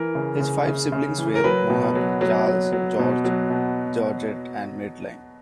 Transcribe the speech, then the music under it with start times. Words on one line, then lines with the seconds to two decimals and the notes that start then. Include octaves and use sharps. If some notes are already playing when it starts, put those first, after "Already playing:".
His five siblings were Moheb, Charles, George, Georgette and Madeline.
Already playing: E3 A#4
0.15 C#3
0.40 C#3
0.67 C#3
0.92 C#3
1.18 E3
1.35 A#4
1.44 F#3 B4
1.70 B2
1.95 F#3
2.21 F#3
2.47 F#3
2.73 F#3
2.99 B2
3.25 F#3
3.50 B2